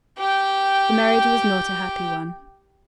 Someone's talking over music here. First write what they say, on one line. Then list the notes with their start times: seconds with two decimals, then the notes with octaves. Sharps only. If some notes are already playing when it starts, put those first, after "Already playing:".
The marriage was not a happy one.
0.19 G4 G5